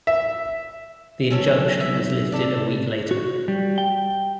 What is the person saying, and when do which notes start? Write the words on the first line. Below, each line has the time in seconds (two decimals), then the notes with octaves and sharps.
The injunction was lifted a week later.
0.07 E5
1.31 B1 C#4 A4 C#5
1.80 E5
2.32 C3 A4 D5
3.11 F#4
3.48 G3
3.78 G5